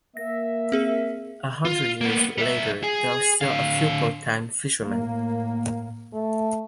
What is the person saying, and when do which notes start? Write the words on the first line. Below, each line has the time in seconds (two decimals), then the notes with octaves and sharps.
A hundred years later there are still a few part-time fisher men.
0.17 A#3 E5 A#6
0.72 C4 G#4 A#4
1.65 F4
2.01 A#3 B3
2.38 G3 E5
2.84 G#4
3.41 D3 F5
4.83 A2 A#3
6.13 A3